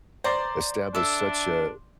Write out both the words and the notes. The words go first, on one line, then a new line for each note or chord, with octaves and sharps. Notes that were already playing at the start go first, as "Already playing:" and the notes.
establish such a
C5 D5 A#5 C6
D4 A4 E5